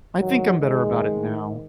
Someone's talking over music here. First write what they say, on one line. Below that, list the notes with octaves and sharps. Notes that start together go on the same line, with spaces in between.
I think I'm better about it now.
G#2 D#3 F#3
G#3